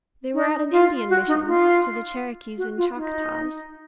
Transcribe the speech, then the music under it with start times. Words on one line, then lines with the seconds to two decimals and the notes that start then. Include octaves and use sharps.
They were at an Indian mission--to the Cherokees and Choctaws.
0.34 D#4
0.71 F4
1.09 F#4
1.27 D#4
1.46 F4
2.57 F#4
2.77 F4
2.95 D#4